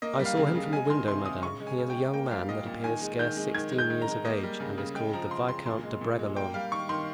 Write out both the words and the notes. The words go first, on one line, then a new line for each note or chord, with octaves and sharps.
"I saw him from the window, madame; he is a young man that appears scarce sixteen years of age, and is called the Viscount de Bragelonne."
A#3 D#5
G3
F5
C#3
C#3
G#3 G#5
D#3 C6
C3 C6
C3 D#6
C#3 C#6
G#3
G#5
C#3
G5
G#3
A#3 G5
G3 F5
A#2 D#5
A#2
D#3 G#5
G#3
D#3 G6
G#3
D#3 G#6
G#3
G6
D#3
A#5
G#3
A#3 D#5
G3
C#3
C#3
G#3 G5
F3 A#5
C#3 C6
C#3 C6
A#2 C6
G#3
A#2
G#3
A#3 G5
G3 F5
D#3 C#6
D#3 C6